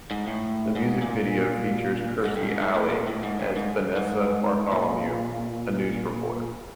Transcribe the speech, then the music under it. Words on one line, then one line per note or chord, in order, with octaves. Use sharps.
The music video features Kirstie Alley as Vanessa Bartholomew, a news reporter.
G#2
A2
G#2
A#2
G#2
G2
G#2
G#2
A2
A#2
A2
G#2
G2
G#2
G#2
A#2